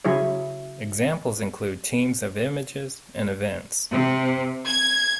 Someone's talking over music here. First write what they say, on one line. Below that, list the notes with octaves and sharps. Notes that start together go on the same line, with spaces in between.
Examples include teams of images and events.
C#3 F#3 E4 G#4 C#5
C3
G#6